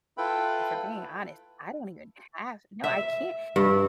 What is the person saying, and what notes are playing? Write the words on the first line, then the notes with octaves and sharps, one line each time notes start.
If we're being honest, I don't even have no, I can't,
E4 F4 A4 B4 G5 B5
E5
G2